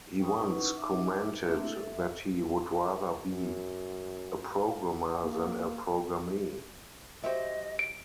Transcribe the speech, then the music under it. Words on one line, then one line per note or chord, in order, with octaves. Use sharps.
He once commented that he would rather be "a programmer than a programmee".
G5 C#6 D#6
C#4 D#4 E4 B4 F#5 C#6
D#4 E5 D6
A3 A#3 C4 D4 E5
E4 A4
E5
F#2
A#3
F#3 G4 C5 D#5 E5
D7